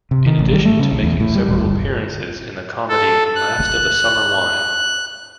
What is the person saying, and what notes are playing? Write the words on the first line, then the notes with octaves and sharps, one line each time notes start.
In addition to making several appearances in the comedy Last of the Summer Wine.
C3
D#3
A1
G3
A3
C#3
B1
E2
A2
G3
D#1
G1
A4
F#6